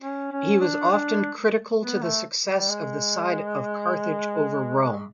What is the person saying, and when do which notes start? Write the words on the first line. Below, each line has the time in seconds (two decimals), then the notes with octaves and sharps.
He was often critical to the success of the side of Carthage over Rome.
0.01 C#4
0.31 C#4
0.60 D4
0.91 D4
1.80 B3
2.02 A3
2.47 G3
2.69 G#3